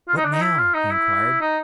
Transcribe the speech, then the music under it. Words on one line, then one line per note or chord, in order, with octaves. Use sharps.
"What now?" he inquired.
F4
D#4
D4
D#4
E4
F4
D#4
E4
D#4